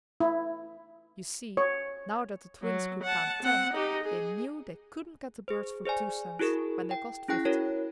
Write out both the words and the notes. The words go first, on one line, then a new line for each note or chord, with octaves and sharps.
You see, now that the Twins could count ten, they knew they couldn't get the birds for two cents when they cost fifty.
E4
C#5
F#3
F#5 A5
C4 F#5
D#4 G4
G#4
G#4 C5
G#4 C5 D5 G#5
E4 F#4 G#4 A#4
G5
C#4 E4 G#4 G5 F#6 A#6
E4 F#4 A#4 C#5